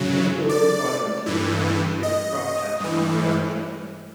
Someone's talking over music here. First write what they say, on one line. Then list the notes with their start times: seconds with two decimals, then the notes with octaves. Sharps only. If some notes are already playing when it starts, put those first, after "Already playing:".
One of the lower quadrants has a diamond-shaped cross-hatching in the outer shell.
Already playing: F#2 C#3 F#3
0.49 D5
1.26 G2 E3
2.03 D#5
2.80 G2 E3